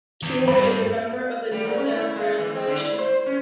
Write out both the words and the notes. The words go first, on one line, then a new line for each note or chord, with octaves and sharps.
Cuellar is a member of the New Democrat Coalition.
E2
G2 B5
G3
G#2
C#4
E4
G#3
E3
C4
D3
E4
C5
C#4